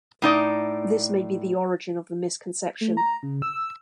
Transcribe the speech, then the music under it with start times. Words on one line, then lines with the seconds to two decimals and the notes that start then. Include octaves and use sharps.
This may be the origin of the misconception.
0.22 A2 D#4 D5
2.81 A3
2.97 A#5
3.23 C#3
3.42 E6